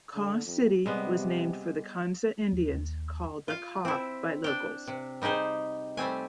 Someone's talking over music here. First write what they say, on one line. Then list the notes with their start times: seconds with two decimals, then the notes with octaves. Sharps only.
Kaw City was named for the Kanza Indians, called "the Kaw" by locals.
0.14 D3
0.46 F2
0.86 C3 G3 G#3 B3
2.52 D#2
2.74 D#2
3.48 F4 F5
3.85 C4 E4
4.44 D4 G5
4.87 C3
5.22 G3 D#4 G4 G#4 C5
5.97 G3 A3 C4 G#5